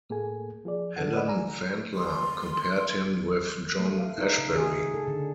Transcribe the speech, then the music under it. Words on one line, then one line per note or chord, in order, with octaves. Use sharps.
Helen Vendler compared him with John Ashbery.
A2 A#3 G#4 A4 G#5
F3 G#4 D5
D3 A4 F#5
B4 D5 D#5 F#5 B5
D5 G#5 A#5
C6
A3
F5
D#4
C#3
G#4
A4
D3